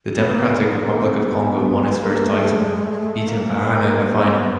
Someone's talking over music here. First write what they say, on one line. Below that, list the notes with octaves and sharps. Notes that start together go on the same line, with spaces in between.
The Democratic Republic of Congo won its first title, beating Ghana in the final.
B3
A#3
B3
A#3
B3
A#3
C4
B3
A#3
A3
G#3
G#3
A3
G#3
A3
A3
A#3
A#3
B3
A#3
C4
B3